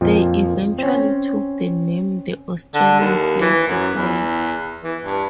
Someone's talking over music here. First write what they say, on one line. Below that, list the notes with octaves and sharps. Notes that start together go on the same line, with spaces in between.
They eventually took the name the Australian Play Society.
F2 A#2 F3
C4 C#4
D3
D#2
E3
F#2
E2
E3
G2